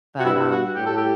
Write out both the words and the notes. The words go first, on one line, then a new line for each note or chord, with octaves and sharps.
but, um
F#4
G2 E4
F#4
A2 G4
A4
G4